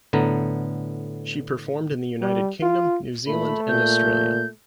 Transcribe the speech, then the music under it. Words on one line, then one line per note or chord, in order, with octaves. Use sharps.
She performed in the United Kingdom, New Zealand and Australia.
A2 D3 B3 A#5
G3
F4
A#2 A3 B5
A#2 G6